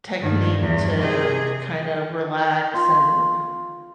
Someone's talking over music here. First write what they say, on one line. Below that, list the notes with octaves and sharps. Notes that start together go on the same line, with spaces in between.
technique to kinda relax, and
G2 D#3
E2 G2
C3 G#4
F4